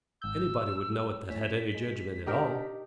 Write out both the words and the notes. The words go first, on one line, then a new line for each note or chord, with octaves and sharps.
Anybody would know it that had any jedgment at all.
G#1 E6 G6
G3
A2 C#4 B6
G#3
D4 D#4 G4 A#4